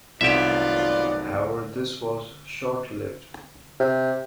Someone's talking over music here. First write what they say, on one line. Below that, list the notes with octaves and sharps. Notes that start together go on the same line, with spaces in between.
However, this was short lived.
C2 F#2 D#3 B3 F4 G4 D5 E5
C3